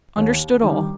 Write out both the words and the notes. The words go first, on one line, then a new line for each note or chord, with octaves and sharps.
Understood all.
D#2
D#3 G3